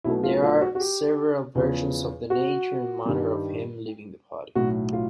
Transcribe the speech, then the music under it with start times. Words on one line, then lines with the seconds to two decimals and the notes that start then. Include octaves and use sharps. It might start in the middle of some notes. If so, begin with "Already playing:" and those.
There are several versions of the nature and manner of him leaving the party.
0.04 B1 B2 F#3 A3 E4
0.23 F4
0.42 F4
0.61 F#4
0.75 F#4
0.80 G4
1.55 E2 C#3 F3
2.30 F#4
3.06 G2 D#3 G3
4.55 B1 A2 F#3 F#4
4.93 F4